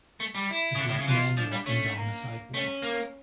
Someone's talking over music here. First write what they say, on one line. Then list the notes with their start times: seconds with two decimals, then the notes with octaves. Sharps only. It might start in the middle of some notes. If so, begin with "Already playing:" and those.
A black man walking down a sidewalk.
0.20 A3
0.35 G3
0.49 E4
0.75 C#3
0.79 D3
0.89 A2
0.99 C#3
1.07 E3 F4
1.37 F3 D4
1.52 G3
1.66 A3 C#4
1.95 A#3
2.53 A3 C#4
2.82 A#3